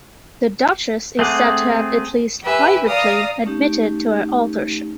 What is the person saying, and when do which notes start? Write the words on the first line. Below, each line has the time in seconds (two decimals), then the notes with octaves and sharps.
The duchess is said to have at least privately admitted to her authorship.
1.19 A3 C4 G#4 F#5 D6
2.43 G4 B4 E5 G#5
2.87 D5 F5 A#5 D#6
3.45 A3 C#4 D#4 G4